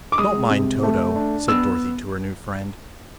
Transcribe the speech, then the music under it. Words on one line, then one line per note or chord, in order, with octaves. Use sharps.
"Don't mind Toto," said Dorothy to her new friend.
D6
G#3 D#6
C3
A3
D4
B3 E6